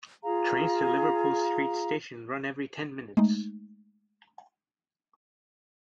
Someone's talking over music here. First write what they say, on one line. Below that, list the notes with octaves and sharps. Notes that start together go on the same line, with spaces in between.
Trains to Liverpool Street station run every ten minutes.
F4 G#4 F5 A#5
G#3 A3 D#4